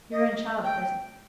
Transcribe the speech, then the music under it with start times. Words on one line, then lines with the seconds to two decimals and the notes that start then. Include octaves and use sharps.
"Your own child at present."
0.12 D#5
0.64 G5